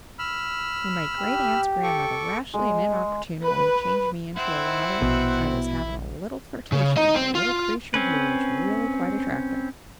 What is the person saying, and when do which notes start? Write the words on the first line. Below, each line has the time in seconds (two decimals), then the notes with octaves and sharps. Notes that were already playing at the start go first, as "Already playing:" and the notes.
When my great-aunt's grandmother rashly and inopportunely changed me into a robin, I was having a little flirtation with a little creature who was really quite attractive.
0.19 B5 E6 F6
1.19 G4
1.83 A4 C#6 D6
2.54 G#3
3.42 B4
4.37 C4 E4 C5 F#5
5.02 A#1 B2
6.72 C#3
6.97 D#4 D#5
7.16 C4
7.35 F4
7.94 C4 C#4 B4